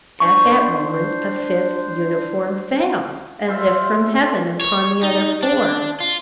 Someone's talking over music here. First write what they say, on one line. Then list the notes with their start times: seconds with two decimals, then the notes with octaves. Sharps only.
At that moment, a fifth uniform fell, as if from heaven, upon the other four.
0.20 D4 C5 C#6
3.48 F4 C5 E5
3.94 A3
4.61 C#5
5.03 D#4
5.43 D4
6.00 F4